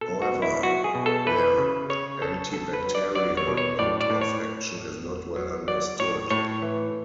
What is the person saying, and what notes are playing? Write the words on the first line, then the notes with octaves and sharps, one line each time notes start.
However, their antibacterial mode of action is not well understood.
B2 A4
F#4
B2
E4
F#3 F#4
G#4
B2
A4
E3 B4
C#3
C#3 C#5
C#3 A4
F#3 A4
B4
F#3
D5
F#3 D5
C#5
B2
C#5
A2 D5
D5
A2
C#5
A2
A2
F#3
F#3
F#3 D5
A2 C#5
A2 C#5
E3